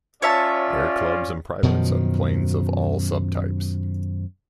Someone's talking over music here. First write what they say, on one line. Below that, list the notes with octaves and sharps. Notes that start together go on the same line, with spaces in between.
Airclubs and privates own planes of all subtypes.
C#4 F4 C#5 D5 E5 A5
F#2 B2 D#3 F3